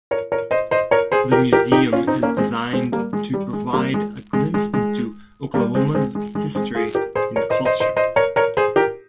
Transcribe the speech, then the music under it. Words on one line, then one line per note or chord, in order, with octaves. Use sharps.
The museum is designed to provide a glimpse into Oklahoma's history and culture.
A#4 C#5
A#4 C#5
C5 D#5
C5 D#5
A#4 C#5
G#4 C5
G4 A#4
G4 A#4
D#4 G4
C#4 F4
C4 D#4
A#3 C#4
G#3 C4
G#3 C4
G3 A#3
G#3
G3
G#3
G3 A#3
G#3
G#3
G#3
G#3
G3 A#3
G#3 C4
G#3 C4
G#3
G#3
G#3 C4
F4 G#4
G4 A#4
G#4 C5
A#4 C#5
C5 D#5
C5 D#5
C5 D#5
C5 D#5
A#4 C#5
A#4 C#5
G#4 C5
G4 A#4